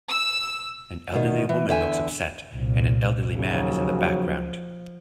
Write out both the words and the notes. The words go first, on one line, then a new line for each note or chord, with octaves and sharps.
An elderly woman looks upset, and an elderly man is in the background.
E6
E2 B2 D#3
E3
E2 D3 E5 G5 G#5
C2 A#2
D#2 C#3 F3 F#3